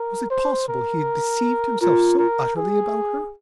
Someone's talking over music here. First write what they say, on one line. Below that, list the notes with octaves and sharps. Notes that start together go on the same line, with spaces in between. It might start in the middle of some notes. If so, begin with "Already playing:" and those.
Was it possible he had deceived himself so utterly about her?
Already playing: A#4
C5
A#4
F4 A#4
A#4
G#4